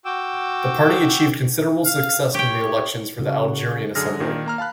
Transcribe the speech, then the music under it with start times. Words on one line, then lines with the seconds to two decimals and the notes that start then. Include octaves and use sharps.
The party achieved considerable success in the elections for the Algerian Assembly.
0.05 F#4 G5 D6 E6
1.86 F5
2.34 G4 C#5 G5
3.20 C#3 F#4
3.95 F#2 D3 G#4 F6 A#6
4.20 A#2 D#3 D4
4.46 A#3 A#5 F6
4.58 F5 A5 B5 F#6